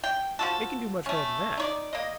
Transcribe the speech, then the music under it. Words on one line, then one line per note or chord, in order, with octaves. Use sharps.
It can do much more than that.
G5
F3 F#4 A4
A3 C#4
D#4 C#5 D5
A#3 D#5